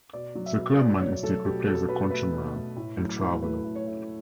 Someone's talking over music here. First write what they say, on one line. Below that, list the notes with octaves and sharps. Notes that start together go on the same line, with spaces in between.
The Clubman Estate replaced the Countryman and Traveller.
B2 D5
F#3
E5
B2
B2 D5
F#3 C#5
F#3 A4
B2 G4
B2 A4
B2 B4
A3 B4
B2
A3
A2
F#3
A2
A3 B4
A3
C#5
A3